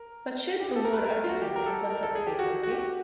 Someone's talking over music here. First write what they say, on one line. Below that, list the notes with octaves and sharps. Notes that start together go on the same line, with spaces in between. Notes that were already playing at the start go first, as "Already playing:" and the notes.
But should the Lord Architect have left that space empty?
Already playing: A#4
G4
G#4
A4
A#4
B4
A#4
F4
F#4
G4
A#4
A4
A#4
A4
G#4
G4
F#4
F#4
G4
F#4